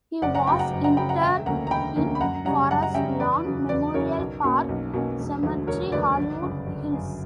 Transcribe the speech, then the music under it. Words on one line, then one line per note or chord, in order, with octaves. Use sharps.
He was interred in Forest Lawn Memorial Park Cemetery, Hollywood Hills.
F#1 D5 F#5
F#5 A#5
F#2 C#3 F#3 G5 B5
F#5 A#5
F#1
F#5 A#5
F#2 C#3 F#3 G5 B5
F#5 A#5
E1 E5 G5
D2 D3 A#3 C#4 F#5 A#5
A#5
E1 G5 B5
D2 D3 A#3 C#4
B5
F#2 F#5 A#5
C#3 G3 C#4 F#5 A#5
F#2 F#5 A#5
F#5 A#5
C#3 G3 C#4 E5 G5
E2 B4 D5
C#3 F#3 C#4
E2 B4 D5
C#3 F#3 C#4 A#4 C#5
B1
B2 A#3 C#4
B1
B2 A#3 C#4
E1
D2 D3 F#3
E1 A#4 C#5
D2 D3 F#3 B4 D5
G1
F#2 C#3
G1
F#2 C#3